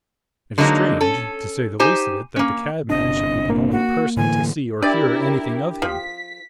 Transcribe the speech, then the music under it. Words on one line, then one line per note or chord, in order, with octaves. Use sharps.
It is strange, to say the least of it, that the cabman should be the only person to see or hear anything of him.'
D3 F#3 G#3 A#3 D#4
C#4 A4
D#4 G4 C5 G#5
A#3 C#4
G1 C3 D4 D#5
A#3
F#4
A2 D3 E3 G#5
D4 E4 G4 A#4 D5 A6
F3 B6